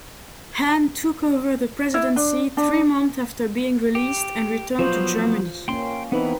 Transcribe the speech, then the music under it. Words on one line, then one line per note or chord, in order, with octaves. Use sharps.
Hahn took over the presidency three months after being released and returned to Germany.
E4
D4
D4
G4
F3 F#3 B3 F4 C5
A#3 C#4 G5 C6
E3 B3 C4 D#4 B4